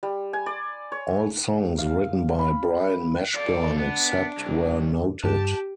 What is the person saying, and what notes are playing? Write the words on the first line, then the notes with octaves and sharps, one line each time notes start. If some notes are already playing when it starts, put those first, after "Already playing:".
All songs written by Brian Mashburn except where noted.
G3
G#5
D5
C#5
F5
B5
A4 D5 F5
B3 D4
C2
G2 G4 A5